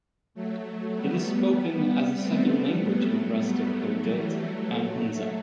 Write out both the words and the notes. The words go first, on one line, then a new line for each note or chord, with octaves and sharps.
It is spoken as a second language in the rest of Gilgit and Hunza.
F#3 A3
G3 B3
A3 C4
G3 B3
F#3 A3
F#3 A3
G3 B3
F#3 A3
E3 G3
F#3 A3